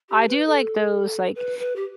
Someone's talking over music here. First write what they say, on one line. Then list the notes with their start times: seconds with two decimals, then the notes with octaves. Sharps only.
I do like those, like,
0.09 G4
0.27 B4
0.45 A4
1.35 B4
1.59 B4
1.75 G4